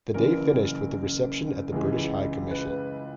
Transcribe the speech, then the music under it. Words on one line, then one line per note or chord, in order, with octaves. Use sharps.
The day finished with a reception at the British High Commission.
F#1 F#2 E3 A#4
C#2 C#3 E3 G#3
B4